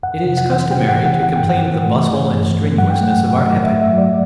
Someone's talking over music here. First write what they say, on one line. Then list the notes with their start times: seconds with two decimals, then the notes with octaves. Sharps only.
It is customary to complain of the bustle and strenuousness of our epoch.
0.03 F2 F#5
0.25 C3
0.37 F#5
0.49 E3
0.71 E3 G5
0.89 F#5
0.95 E3
1.06 F#5
1.18 E3
1.23 F#5
1.36 G2 G5
1.49 F#5
1.63 E3
1.86 A3
2.09 E3
2.32 G2
2.55 G2
2.77 F#3 F#5
2.90 G5
3.01 A3 F#5
3.23 A2
3.46 F#3 F#5
3.64 E5
3.70 A3
3.82 E5
3.93 F#3 D5